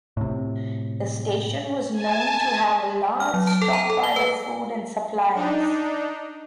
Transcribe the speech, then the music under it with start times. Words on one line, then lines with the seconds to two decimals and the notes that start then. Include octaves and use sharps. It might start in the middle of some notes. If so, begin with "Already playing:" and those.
The station was known to have a large stockpile of food and supplies.
0.17 A2 C3
1.93 G#5 A5
3.20 F6
3.34 F#3
3.47 A5
3.62 A4
3.73 A#5
3.90 A4
4.03 G7
4.16 B4
5.35 D4 D#4